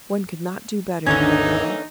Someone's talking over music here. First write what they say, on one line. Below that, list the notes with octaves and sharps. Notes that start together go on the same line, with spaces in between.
"One could not do better," cried Earle.
G#1 D#2 D3 E3 A#3 C#4 D#4 G#6